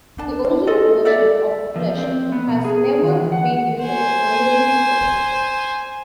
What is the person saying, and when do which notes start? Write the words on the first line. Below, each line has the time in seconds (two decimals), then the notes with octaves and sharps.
The original version of "Flesh" has never been released, only remixes.
0.18 D4 A5
0.67 F4 A4 D#5
1.05 A4 D5 E5
1.76 F3
1.98 C4
2.32 B3
2.48 B2
2.64 G#4
3.03 D#3
3.20 E3
3.32 F#5
3.82 C5 G#5